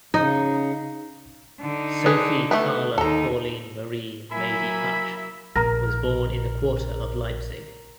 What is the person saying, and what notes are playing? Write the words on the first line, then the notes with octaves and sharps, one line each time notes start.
Sophie Carla Pauline Marie "Mady" Huch was born in the quarter of Leipzig.
C#3 D#4
D3 D#4
G#4 B4
A3 B3 B4
D#2 D#4 A4 A#5
F#3 A#3 E4 E5 G#5 B5
A#1 A#4 A#5 A#6